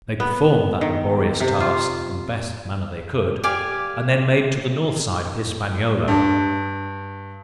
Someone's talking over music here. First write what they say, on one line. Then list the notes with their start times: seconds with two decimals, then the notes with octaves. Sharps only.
They performed that laborious task in the best manner they could, and then made to the north side of Hispaniola.
0.20 B3
0.81 D#3
1.40 C3
1.60 F4
3.43 G4 D5 F5 G#5
6.08 G2